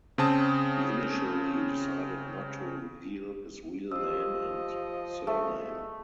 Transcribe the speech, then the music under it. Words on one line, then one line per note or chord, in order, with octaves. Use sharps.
He initially decided not to reveal his real name and surname.
C#3 C4 A5 D#6
F3 G4 D#5 E6
A3 G#4 E5